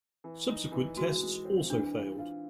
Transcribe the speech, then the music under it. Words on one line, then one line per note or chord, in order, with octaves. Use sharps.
Subsequent tests also failed.
E3
D#4
E3
G#3 F#4
G#3
C4
E3 D4
F4
F4